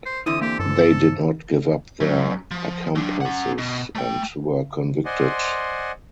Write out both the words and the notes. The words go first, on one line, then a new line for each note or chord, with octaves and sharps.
They did not give up their accomplices and were convicted.
C5
D3 E3 C4 E4 D#6
A#3 G4
G2 A4
F#2
F3
F#3 D4
C#4 F#5
B2
A3 G5
C5 D5 D#5 F#5 G#5 C6